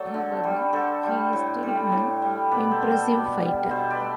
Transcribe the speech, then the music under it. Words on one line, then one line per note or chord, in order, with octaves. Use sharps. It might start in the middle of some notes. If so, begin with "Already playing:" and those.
However, he is still an impressive fighter.
Already playing: F#3 A3 A4 D5
D3
G3
D3 A4 C5
G3
A2
G3
A2
G3
B2 B4 D5
A4 C5
G3
A4 C5
B2 B4 D5
G3
B2 C5 E5
B4 D5
A3